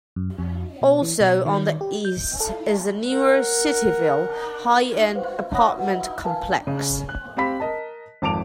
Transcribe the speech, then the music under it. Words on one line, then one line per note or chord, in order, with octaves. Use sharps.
Also on the east is the newer Cityville high-end apartment complex.
F#2
F2
B2
E3
B2
D#3
G4
G6
A4
A#4 F#5
B4 C5 F5
C#5 F#5 B5 D#6 F#6 A#6
F#4 B4 F#5
A#4 B4 F5 G#5 A5
C#3
F#6
C4 G4 F5 B5 B6
A#4 D#5 A5
G#1 F2 A5 D6 D7 F7